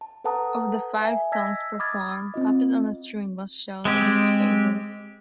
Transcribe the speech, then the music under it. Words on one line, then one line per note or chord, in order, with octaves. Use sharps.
Of the five songs performed, "Puppet on a String" was Shaw's least favourite.
A5
A4 B4 F#5 A5 A#5 D#6
E5 G#5
D#5 A5 E6 G#6 A#6 B6
B5 D6 D#6 F6 G#6 A6
C4 F4 D#5
G#3 C4 G4